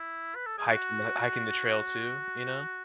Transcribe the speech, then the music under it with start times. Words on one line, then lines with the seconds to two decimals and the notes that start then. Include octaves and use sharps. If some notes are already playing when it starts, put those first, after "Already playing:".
hiking tha hiking the trail too, you know,
Already playing: E4
0.35 B4
0.46 A4
0.58 G#4
0.69 F#4